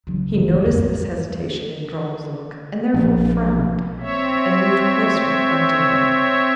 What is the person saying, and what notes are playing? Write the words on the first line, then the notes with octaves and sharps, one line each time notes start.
He noticed this hesitation in Dron's look and therefore frowned and moved closer up to him.
C#3 F#3
G2 D3
D4
F2 B3
G#1 G#3
A#1
C4 C#5 E5